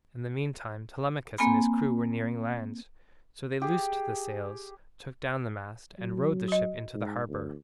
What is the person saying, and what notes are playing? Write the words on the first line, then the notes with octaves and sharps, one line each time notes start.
In the mean time Telemachus and his crew were nearing land, so they loosed the sails, took down the mast, and rowed the ship into the harbour.
A#3 C4 G#5 B5
G4 G#4
F#3
F#4 D#5
G#2
D2